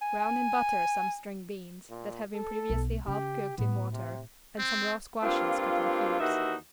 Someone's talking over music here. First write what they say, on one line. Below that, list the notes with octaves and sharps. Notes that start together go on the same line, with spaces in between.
Brown in butter some string beans, that have been previously half cooked in water and some raw squashes cut in cubes.
G#5
A#2
A4
B1
C#3 C#4 G4
A2 B3
C3
C4
G2 A#3 C4 F4
D#2 E3 D#4 F#4 E5